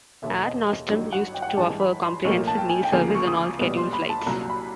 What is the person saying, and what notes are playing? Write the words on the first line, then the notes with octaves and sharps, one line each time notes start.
Air Nostrum used to offer a comprehensive meal service on all scheduled flights.
E1 D#2 D3 E5
D#5
D#5
A1 G2 D#3 F#3
F#5
G5
F#5
G5
A1 G2 E3 G#3 A5
B5
C6
B1 A2 F3 A#3 C#6
A5
G5
G#5
G5
D2 C#3 F3 A#3 G#5
C#6
D#6
D6
B1 A#2 G3 B3
C6
B5
A5
C2 A#2 F#3 A#5
B5